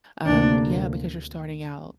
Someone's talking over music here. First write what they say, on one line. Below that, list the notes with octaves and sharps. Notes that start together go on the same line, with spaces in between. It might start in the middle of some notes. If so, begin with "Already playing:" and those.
Um, yeah, because you're starting out
D2 C3 A#3 D4